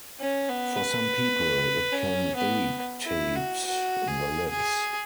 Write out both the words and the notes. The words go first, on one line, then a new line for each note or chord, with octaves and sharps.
For some people, it can irritate the lips.
C#4
B3
B4
C#4
B3
E4
F#4
F#4
G#4
G#4